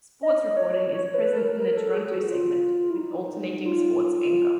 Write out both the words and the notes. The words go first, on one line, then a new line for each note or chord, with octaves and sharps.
Sports reporting is present in the Toronto segment with alternating sports anchor.
D#5
C#5
C#5
B4
A#4
A#4
A4
G#4
F#4
F4
E4
D#4
F4